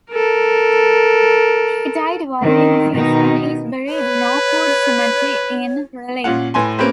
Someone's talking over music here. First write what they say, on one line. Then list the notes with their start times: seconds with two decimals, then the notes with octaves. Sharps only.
He died while in office and is buried in Oakwood Cemetery in Raleigh.
0.11 A4 A#4
2.42 D#3 C4
2.95 B2 D#3 D#4
3.89 B4 C#5
6.24 A#2 C#4 F4 F#5
6.54 A2 B4 G#5 C6
6.78 A#3 C4 C#4 G4 B4 C5